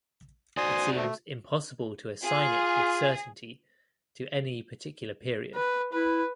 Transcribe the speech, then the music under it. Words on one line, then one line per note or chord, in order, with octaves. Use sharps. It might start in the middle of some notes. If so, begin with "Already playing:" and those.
It seems impossible to assign it with certainty to any particular period.
F#4 C5 D5 G#5 C6 D#6
A3
F4 G#4
B4
E4 B4